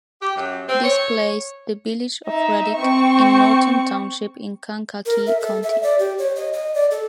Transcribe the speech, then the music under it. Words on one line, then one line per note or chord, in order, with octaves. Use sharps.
This placed the Village of Reddick in Norton Township in Kankakee County.
G4
F#2
C4
C#5
D#4 E5
C4 C#6
A#4
E5
A4
E5
D5
G4
C#5
D#5
D#5
D5
A4